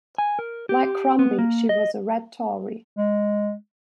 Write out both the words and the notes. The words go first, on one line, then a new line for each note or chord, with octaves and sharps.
Like Crombie, she was a Red Tory.
G#5
A#4
G4
B3
A#3
D#5
G#3